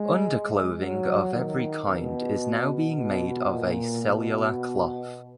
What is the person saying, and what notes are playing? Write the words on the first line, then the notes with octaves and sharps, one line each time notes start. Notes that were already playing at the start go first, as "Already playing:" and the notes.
Underclothing of every kind is now being made of a cellular cloth.
Already playing: G#3
F#3
D#3
B2
B2
A#2
B2